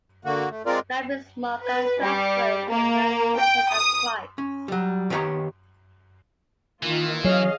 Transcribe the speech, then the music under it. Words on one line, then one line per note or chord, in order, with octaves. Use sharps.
Matthew Smucker, transferred to the United Church of Christ.
D3 A#3 F#4
A3
G#3 C4 F4 A#4 D5
B4
G3
A#3
G5
D#6
C#4
F#3 G3
D#3 B3 D#4 G4 C#5 A#5
D#3 E3 A#3 F4
F#3 C#4 G#4 D#5 F5